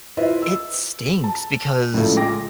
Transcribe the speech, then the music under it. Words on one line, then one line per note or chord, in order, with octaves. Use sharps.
It stinks because
E4 F4 B4 C5 D#5 E5
E6
A5
A#1 A2 C#3 G#3 A3
G#3 F4 G5 D6 A#6